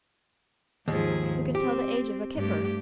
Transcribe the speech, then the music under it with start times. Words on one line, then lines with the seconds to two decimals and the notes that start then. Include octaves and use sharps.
Who can tell the age of a kipper? . . .
0.88 D#2 G#2 F3 G#4
1.55 C4 G4
2.36 G2 A3 G4